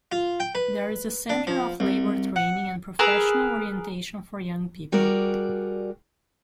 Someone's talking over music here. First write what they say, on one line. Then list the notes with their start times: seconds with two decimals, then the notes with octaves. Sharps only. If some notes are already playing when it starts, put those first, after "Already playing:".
There is a center of labor training and professional orientation for young people.
0.12 F4
0.40 G5
0.55 B4
1.29 D4
1.47 F3
1.80 C2
2.36 F#5
2.99 G#4 A#4 B4 E6
4.92 G3 F#4 G#4 A#4 D5